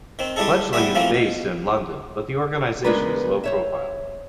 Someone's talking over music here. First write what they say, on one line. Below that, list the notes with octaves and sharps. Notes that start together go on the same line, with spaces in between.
Fledg'ling is based in London but the organisation is low-profile.
D#3 C4
G3 G#3 D4 E4 G#4 A4
G3 B3 E4 F#4 G#4 E5
E3 F3 A3 A#3 C4
B2
C#3 G#3 B3 D4 A#4 B4
C5 C#5 E5